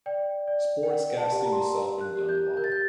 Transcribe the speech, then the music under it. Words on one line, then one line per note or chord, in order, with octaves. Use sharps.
Sports casting is often done live.
D5 G5
D5
G5
A#4 F#5
A5
G4
A#5
C6
A#5
A#4
F#6
G4
G6
A#4 G6
A6
G6